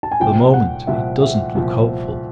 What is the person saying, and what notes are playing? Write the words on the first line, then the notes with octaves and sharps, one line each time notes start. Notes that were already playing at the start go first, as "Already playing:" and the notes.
For the moment it doesn't look hopeful.
A5
G#5
C2 A#2 F3 G5
F#5
C2 A#2 F3 E5
E5
C2 A#2 F3